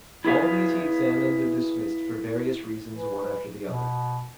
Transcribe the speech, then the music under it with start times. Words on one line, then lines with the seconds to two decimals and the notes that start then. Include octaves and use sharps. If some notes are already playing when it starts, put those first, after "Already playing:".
All these he examined and dismissed for various reasons one after the other.
0.24 E4 G#4 B4 E5 F5
2.93 E3
3.67 B2